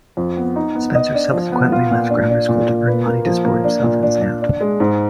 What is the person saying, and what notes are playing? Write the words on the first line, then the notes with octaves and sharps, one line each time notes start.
Spencer subsequently left grammar school to earn money to support himself and his aunt.
F2
B3
D#4
B3
D#5
D4
F3
B3
F4
A#2
D4
D4
A#2
A#2
B4
A#3
F3
A#3
D4
A#2
D4
D4
D4
G#3
G#2